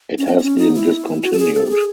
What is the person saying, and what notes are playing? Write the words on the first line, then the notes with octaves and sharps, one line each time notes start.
It has been discontinued.
C#4
C4
C4
C#4
D#4
E4
F#4
A4
G#4
A4
G4
G#4